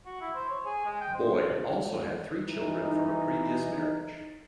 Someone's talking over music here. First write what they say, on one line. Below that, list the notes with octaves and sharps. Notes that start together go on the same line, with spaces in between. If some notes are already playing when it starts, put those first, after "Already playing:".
Boyd also had three children from a previous marriage.
F#4
E4
C5
C#5
G#4
G#3
G5
C5
E3 D#4